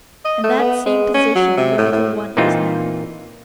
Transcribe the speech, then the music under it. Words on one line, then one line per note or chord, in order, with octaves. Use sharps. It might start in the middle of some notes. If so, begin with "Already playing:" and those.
In that same position your little one is now.
D#5
A3
B3
G#3
C#4
F#3
C3
A2
A2
A#2 E3 C4 D#4 F4